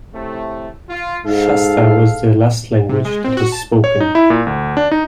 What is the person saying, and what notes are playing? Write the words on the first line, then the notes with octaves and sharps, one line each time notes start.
Shasta was the last language that was spoken.
A2 C3 A3
F4
G#2 A4 F5
C3
G#3
C4
F#4
A5
C#5
D#4
E4
A#2
D2
D4
D#4